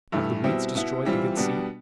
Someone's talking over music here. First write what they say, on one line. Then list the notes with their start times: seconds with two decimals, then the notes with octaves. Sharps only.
"Have the weeds destroyed the good seed?"
0.12 G2 E3 A3 E4
0.44 B2 G3 C4 E4
0.75 B2 B3 E4
1.05 E3 G3 C4 F4
1.36 B2 G3 B3 D4